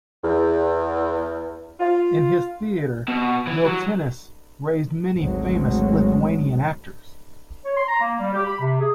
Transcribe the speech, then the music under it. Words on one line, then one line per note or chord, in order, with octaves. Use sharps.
In his theatre Miltinis raised many famous Lithuanian actors.
E2
F4
B2
E3
F#3
G#1 D2 F#3 G#3
C#5
C6
A#5
A#3
G3
G4
B5
C3
G#4